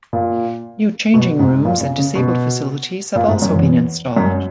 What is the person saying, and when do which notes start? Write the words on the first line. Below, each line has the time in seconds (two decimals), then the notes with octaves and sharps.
New changing rooms and disabled facilities have also been installed.
0.13 A#2
1.14 B2
1.39 G#2
1.65 A#2
1.81 C#3
1.98 C#3
2.15 B2
3.16 A#2
3.28 G#2
3.42 F#2
3.54 E2
4.16 F#2